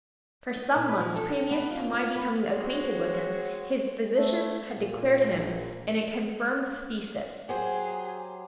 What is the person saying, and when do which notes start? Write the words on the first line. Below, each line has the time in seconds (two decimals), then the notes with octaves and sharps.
For some months previous to my becoming acquainted with him, his physicians had declared him in a confirmed phthisis.
0.56 D#4
0.75 A#2
0.88 B4
1.01 F3
1.16 A4
1.29 G4
1.51 B3
1.71 F4
1.93 F4
2.16 B4
2.50 G#3 C4 F#4 C#5
4.16 A3
4.77 A#2
5.32 A#1
7.49 F#3 G4 G#4 C5